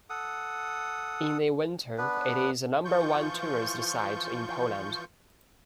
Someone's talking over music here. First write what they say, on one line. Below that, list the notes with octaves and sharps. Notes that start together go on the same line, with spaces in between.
In the winter, it is the number one tourist site in Poland.
A4 F#5 D#6
B3 D4 B4
E3 F3 F4 C#6 G6